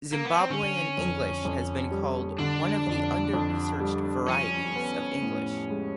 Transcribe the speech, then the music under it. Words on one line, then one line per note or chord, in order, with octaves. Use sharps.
Zimbabwean English has been called "one of the under researched varieties of English".
A#3
B3
C4
D3 C#4
F2
F2
G3
D3 D4
F2
F2
G3
F3 C#4
B3
A2
G#3